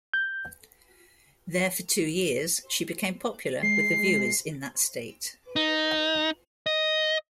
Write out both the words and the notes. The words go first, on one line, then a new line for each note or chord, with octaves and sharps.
There for two years, she became popular with the viewers in that state.
G6
G#3 C7
D#4
D#5